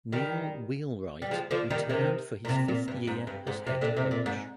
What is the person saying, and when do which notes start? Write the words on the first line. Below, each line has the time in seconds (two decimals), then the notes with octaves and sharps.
Neil Wheelwright returned for his fifth year as head coach.
0.12 D#3 G3
1.22 G3
1.31 F3 G#3
1.51 D3 F3
1.70 D#3 G3
1.89 C3 D#3
2.45 A#2
2.49 C3
2.68 A#2
2.88 G2
3.07 G#2
3.27 G2
3.47 G#2
3.67 C3
3.81 A#2 D3
3.96 C3
4.11 A#2
4.26 G#2